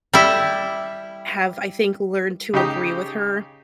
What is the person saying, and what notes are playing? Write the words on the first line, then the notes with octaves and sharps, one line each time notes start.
have, I think, learned to agree with her,
G3 E4
C#3 D#4 G4